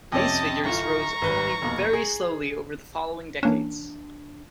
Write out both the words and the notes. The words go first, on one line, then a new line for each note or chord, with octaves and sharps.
These figures rose only very slowly over the following decades.
F2 C3 C#4 D#5 A5
D1 F4 A#5 C#6
G#1 B4 G7
F1 B2 A#3
G#4
E3 A#3 C#4 D4